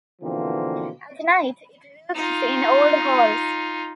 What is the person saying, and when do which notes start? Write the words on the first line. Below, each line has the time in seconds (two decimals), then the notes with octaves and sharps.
At night it roosts in old holes.
0.22 B2 D3 E3 F3 A#3 C4
2.15 D#4 F4